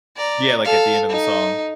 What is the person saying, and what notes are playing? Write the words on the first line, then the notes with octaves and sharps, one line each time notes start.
Yeah, like, at the end of the song?
D5 A#5
A4 F5
D#4